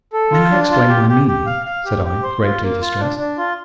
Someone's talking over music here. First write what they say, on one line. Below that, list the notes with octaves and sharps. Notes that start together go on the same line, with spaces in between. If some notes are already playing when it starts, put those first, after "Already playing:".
"May I explain my meaning?" said I, greatly distressed.
A4
F4
D4
F4
G4
G4
G4
F5
F5
G4
G4
C5
F4
A#3
F4
D4
D4
F4